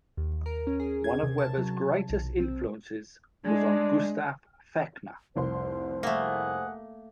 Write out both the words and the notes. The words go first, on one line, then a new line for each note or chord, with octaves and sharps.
One of Weber's greatest influences was on Gustav Fechner.
D#2
A#4
C#4
G#4
G#6
C3
A5
F#3
B1
C4
G#3 D4
F1 C2 C5 C6
A3 A#3 G#4 F#5